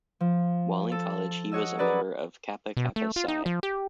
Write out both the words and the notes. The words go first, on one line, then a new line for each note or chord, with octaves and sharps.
While in college, he was a member of Kappa Kappa Psi.
F3
A4
F#4 C#5 D#5 E6
F#4 G#4 B4 D5 A#5
B2
A3
F4
D#4
F3
G4